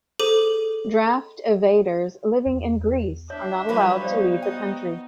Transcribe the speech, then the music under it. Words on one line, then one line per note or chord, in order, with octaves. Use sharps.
Draft evaders living in Greece are not allowed to leave the country.
G#4 A4 C5 D6 D#7
E2
D4 C#5 E5
F3 G3 B4 C#5 F5
B3 D#4 C5 D5 F5
F#4 D#5 G5